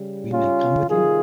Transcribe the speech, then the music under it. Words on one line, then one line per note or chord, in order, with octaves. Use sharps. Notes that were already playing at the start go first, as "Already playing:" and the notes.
We may come with you?
Already playing: C#3 G3
C#4 F4
C3 D#3 G3 F4 G#4